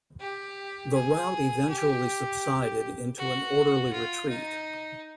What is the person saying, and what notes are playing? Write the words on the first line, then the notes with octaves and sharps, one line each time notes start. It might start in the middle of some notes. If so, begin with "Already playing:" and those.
The rout eventually subsided into an orderly retreat.
G4
G#4
G4
F#4
F4
D#4